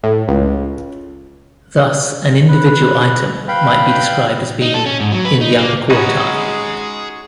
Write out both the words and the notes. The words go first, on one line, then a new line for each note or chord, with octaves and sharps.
Thus an individual item might be described as being "in the upper quartile".
A2
C#2
B4
B4 F5 G5 B5
D#4
A4
C#4
G#2
F#3
B4
D#4
A#3
G#3 C#4 D#4 F#4 G#4 B5